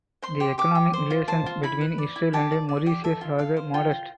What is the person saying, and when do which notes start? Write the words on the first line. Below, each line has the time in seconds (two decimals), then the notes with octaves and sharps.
The economic relations between Israel and Mauritius are modest.
0.22 C5 C6
0.40 G4
0.58 G4 D6
0.75 G4
0.93 C5 C6
1.10 F4
1.28 C5 A5
1.46 F4
1.63 E4 B5
1.81 B4
1.98 D5
2.16 E4
2.33 G4 A5
2.52 D5
2.69 D5
2.86 G4
3.04 A4 E5
3.21 F4
3.39 A4 F5
3.57 C5
3.74 F4 G5
3.92 F4